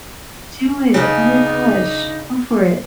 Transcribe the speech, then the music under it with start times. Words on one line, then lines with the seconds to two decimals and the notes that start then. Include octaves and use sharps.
Do it. Oh my gosh. Go for it.
0.94 C#3 D4 D#4